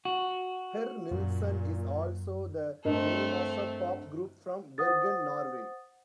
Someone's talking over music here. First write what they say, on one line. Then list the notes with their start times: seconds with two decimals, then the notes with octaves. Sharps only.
"Herr Nilsson" is also the name of a pop group from Bergen, Norway.
0.05 F#4
1.11 F#2 A#2
2.85 G2 A3 C4 A#4 D#5
4.78 C5 F#5 D#6 A6